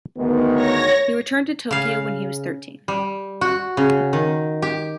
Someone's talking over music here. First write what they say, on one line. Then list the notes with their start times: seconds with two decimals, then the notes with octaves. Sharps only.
He returned to Tokyo when he was thirteen.
0.17 D2 G#2 D#3 B3
0.55 C#5 A#6
1.71 C#3 F5
2.88 G3
3.41 F#4
3.77 C#3
4.13 D#3
4.62 G4